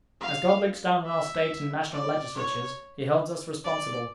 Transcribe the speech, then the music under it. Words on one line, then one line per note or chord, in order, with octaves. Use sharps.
As God looks down on our State and national legislatures, he holds us responsible.
F5
E5
D5
C#5
D5